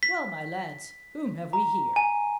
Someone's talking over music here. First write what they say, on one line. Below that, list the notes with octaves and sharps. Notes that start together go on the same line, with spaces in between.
"Well, my lads, whom have we here?"
B6
A#5
G#5